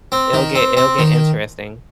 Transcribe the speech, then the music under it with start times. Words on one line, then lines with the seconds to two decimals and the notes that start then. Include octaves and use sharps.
it'll get it'll get interesting.
0.12 C4
0.33 D#3
0.55 C4
0.77 C4
0.98 D#3